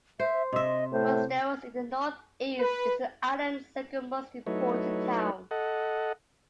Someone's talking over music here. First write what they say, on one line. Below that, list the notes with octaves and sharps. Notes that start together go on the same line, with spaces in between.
Mosteiros in the north-east is the island's second most important town.
C5 E5
C3 D#5 E5
A2 C5
B4
F#3 A3 D#4 E4 B4 C#5
A4 D#5 F#5